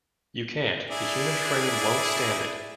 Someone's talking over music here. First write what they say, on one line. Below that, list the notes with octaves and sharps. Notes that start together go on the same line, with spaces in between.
You can’t; the human frame won’t stand it.
D4 E4 G#4